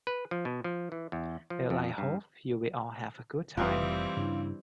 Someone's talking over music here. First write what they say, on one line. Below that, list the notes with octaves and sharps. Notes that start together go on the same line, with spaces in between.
Well, I hope you will all have a good time.
B4
F3
B2
F3
E3
E2
F3
F2
G2
F1 E3 G3 C4 F4 B4 E5 D#6
G2 C#3 D4 E4